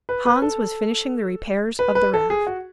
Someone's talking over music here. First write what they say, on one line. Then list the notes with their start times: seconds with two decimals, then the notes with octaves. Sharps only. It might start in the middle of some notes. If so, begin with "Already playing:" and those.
Hans was finishing the repairs of the raft.
0.09 B4
0.26 B4
0.42 A4
1.79 B4
1.95 B4
2.14 A4
2.30 G#4
2.47 F#4